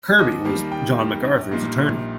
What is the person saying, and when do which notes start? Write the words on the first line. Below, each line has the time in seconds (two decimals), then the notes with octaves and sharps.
Kirby was John MacArthur's attorney.
0.18 D#2 D#5
0.45 D#3 G3 A#3
0.71 D#2 G5
0.98 D#3 G3 A#3
1.25 A#1
1.51 A#2 G3 A#3 D#4
1.78 A#1